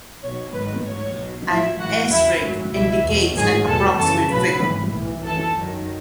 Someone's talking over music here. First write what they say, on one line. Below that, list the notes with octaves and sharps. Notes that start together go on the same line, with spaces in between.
An asterisk indicates an approximate figure.
B1 B2 F#3 C#5
G#1 G#2 D#3 B4
A1 G#2 F#3 C#5
B1 B2 F#3
A1 A2 F#3 E4 E5
A1 A2 E3 F#4 F#5
E2 C#3 F#3 E4 E5
G#1 F#2 C#3 F#3
C#2 B2 F#3 E4 E5
E2 B2 F#3
A1 G#2 D#3 F#3 G#4 G#5
E2 B2 F#3 A4 A5
F#2 C#3 E3 A4 A5
B1 A2 F#3 B4 B5
G#1 G#2 E3
B1 A2 E3
F#2 E3 A4 A5
F#2 D#3 F#3